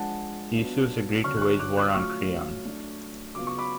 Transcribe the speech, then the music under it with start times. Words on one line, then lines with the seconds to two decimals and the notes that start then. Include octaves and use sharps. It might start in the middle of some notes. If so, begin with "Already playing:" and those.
Theseus agrees to wage war on Creon.
Already playing: F3 G#3 D4 F#5 A5
0.54 F#3 B3 D4 F4
1.24 D3 F#3 C#4 C#6 F6
1.37 F#6
1.42 C#6 F6
1.59 D6 F#6
1.77 D6 F#6
1.88 F#6
1.94 F#3 A3 C#4 F4 C#6 F6
2.65 F#3 A3 D4
3.35 C#3 F#3 B3 F4 D6
3.47 C#6
3.58 B5 D6